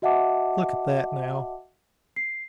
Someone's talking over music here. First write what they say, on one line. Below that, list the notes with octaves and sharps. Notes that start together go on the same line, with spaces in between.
Look at that, now.
F#4 D#5 E5 F#5 A5 D6
C7